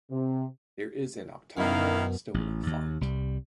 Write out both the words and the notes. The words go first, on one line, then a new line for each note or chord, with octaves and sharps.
There is an octagonal stone font.
C3
F#2 B2 D#3 E4 F5
A1
D#2
C2 G3